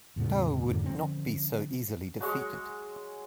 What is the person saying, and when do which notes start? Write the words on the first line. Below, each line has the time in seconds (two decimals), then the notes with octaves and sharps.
Tau would not be so easily defeated.
0.16 E1 A2 C#3 B3
0.67 F2 G#2 D3 D#3
0.84 D3 F3 C4 C#4
2.21 F#3 G#3 C#6